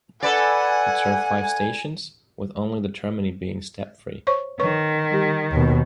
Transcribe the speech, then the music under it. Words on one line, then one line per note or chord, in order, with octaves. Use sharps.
It serves five stations, with only the termini being step-free.
A4 B4 D5 F#5 G#5
C5 C#5 C#6
D#3 B4 C#5 C#6
G3 G4
D#2 B2